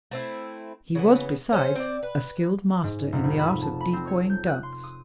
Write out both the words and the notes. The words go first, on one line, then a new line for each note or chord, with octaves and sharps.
He was, besides, a skilled master in the art of decoying ducks.
A3 C4 E4
C#3 E3 B3
C#4 A4 C5
C4 C5 D5
B4
G#2
F1
C2
B5
A5
B5
C4
C#5
G6
F#6
C6
D#6